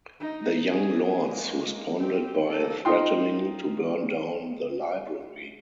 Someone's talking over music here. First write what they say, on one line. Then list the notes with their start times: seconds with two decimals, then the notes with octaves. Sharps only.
The Young Lords responded by threatening to burn down the library.
0.20 D#4
0.69 C#4 G#4
1.27 G#3 A#3
1.99 C4 G4
2.46 A#3 A4
2.85 D#4 F4 G5 C6